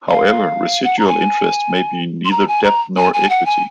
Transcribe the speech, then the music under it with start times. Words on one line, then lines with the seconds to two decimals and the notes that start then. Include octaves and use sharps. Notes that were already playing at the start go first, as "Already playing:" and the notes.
However, residual interests may be neither debt nor equity.
0.09 F5
0.84 F#5
0.99 A#5
1.08 G#5
2.25 C6
2.31 A#5
2.48 G#5
2.64 A#5
2.97 G#5
3.14 G#5
3.30 F#5
3.46 G#5